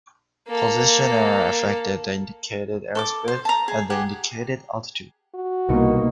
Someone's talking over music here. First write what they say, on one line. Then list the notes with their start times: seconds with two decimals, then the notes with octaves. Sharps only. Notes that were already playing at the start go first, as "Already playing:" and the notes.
Position error affects the indicated airspeed and the indicated altitude.
0.48 A#3 A4
2.95 A4 C#6 D6
3.28 C5
3.45 A5 A#5
3.68 G#4
3.90 G4 G#4 F#5
5.35 F#4
5.69 C2 B2 A#3 D#4 C#6